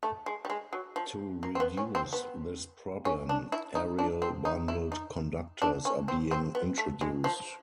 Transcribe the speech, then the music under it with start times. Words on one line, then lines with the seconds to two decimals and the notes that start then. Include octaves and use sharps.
To reduce this problem, aerial bundled conductors are being introduced.
0.03 A3
0.26 G#3
0.45 G3
0.50 G#3
0.73 F#3
0.96 F3
1.43 A#3
1.55 C4
1.60 B3
1.77 C#4
1.95 C4
2.13 B3
3.05 C#4
3.29 D4
3.52 E4
3.75 D#4
3.99 D4
4.22 C4
4.45 D#4
4.68 E4
4.92 D#4
5.62 D4
5.85 C#4
6.08 C4
6.31 C4
6.55 B3
6.78 A3
7.01 G#3
7.24 F3